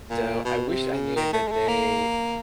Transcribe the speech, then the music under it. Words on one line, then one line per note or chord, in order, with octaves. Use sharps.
So, I wish I knew that they
A#2
B2
C3
C#3
D#3
A3
G#3
A3
A#3